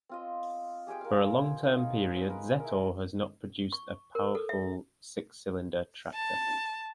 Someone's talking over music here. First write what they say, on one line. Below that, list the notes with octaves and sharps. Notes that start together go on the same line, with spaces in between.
For a long-term period, Zetor has not produced a powerful six-cylinder tractor.
C4 F4 D#5
G4 G#4 F5 G5
A#4 F5
B3 D#4 F4 A#4
G#3 A#4 B4
E4 A#4
C#6
A#4
A4
E5
A5